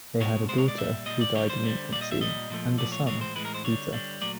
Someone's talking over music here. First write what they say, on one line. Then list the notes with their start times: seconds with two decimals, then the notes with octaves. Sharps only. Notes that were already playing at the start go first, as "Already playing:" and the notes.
They had a daughter who died in infancy, and a son, Peter.
0.21 B2 G#3 C#5
0.49 B2 G#3 C5
0.58 C#5
0.68 D5
0.78 A#2 G3 E5
1.06 A#2 G3 D#5
1.21 D5
1.35 D3 G3 C#5
1.49 C5
1.63 D3 G3
1.92 A#2 G3 D5
2.01 D#5
2.11 E5
2.21 A#2 G3 D#5
2.50 A#2 F3 A3
2.78 A#2 F3 A3 D5
2.92 C#5
3.06 A2 E3 G#3 C#5
3.21 C5
3.36 A2 E3 G#3 B4
3.45 A#4
3.54 C5
3.64 D3 G3 C#5
3.93 D3 G3
4.22 A#2 F#3 A3 D5